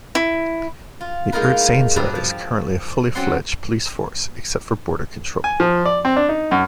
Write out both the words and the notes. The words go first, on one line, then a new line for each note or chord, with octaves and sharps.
The Ertzaintza is currently a fully-fledged police force, except for border control.
E4
F4
G#3 A#3 D#4 F4 A#4 B4
G2 B2 D4 B4 D5 A#5
F3
F#3 C4 C#4 D5 F#5 C6
G#5
F3
D5
C4
D4
D#4
F#2